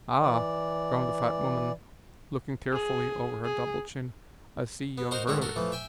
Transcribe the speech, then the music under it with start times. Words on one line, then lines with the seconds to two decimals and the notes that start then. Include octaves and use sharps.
"Ah!" groaned the fat woman, looking tearfully over her double chin, "I see you have heard of it."
0.21 E3 D5
2.73 G#4
3.45 G#4
4.98 B3
5.11 D#4 F#4 A#4 C5 A#5
5.27 A1 D3 D#3 G#3 F#4 C#5
5.42 F#4 A4 A#4
5.56 E3 F3 A3
5.72 E5 G5 G#5